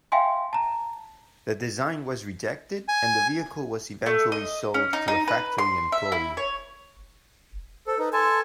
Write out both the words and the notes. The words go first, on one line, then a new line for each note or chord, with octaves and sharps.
The design was rejected and the vehicle was eventually sold to a factory employee.
E5 F5 G5 G#5 C6
A5 A#5
G#5
A3
D#5
C#4
D#4
D#4
B4
C6
E5
E4
C#5
A4 C5
D#4 B4
A4 G#5 A5 C6